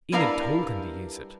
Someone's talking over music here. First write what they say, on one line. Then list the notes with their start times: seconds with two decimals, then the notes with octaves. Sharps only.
"Enid told him to use it."
0.12 G3 D4 E4 A#4 B4 F5